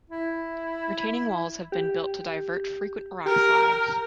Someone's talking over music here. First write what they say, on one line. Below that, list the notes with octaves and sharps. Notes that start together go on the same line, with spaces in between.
Retaining walls have been built to divert frequent rockslides.
E4
G4
G4 A#4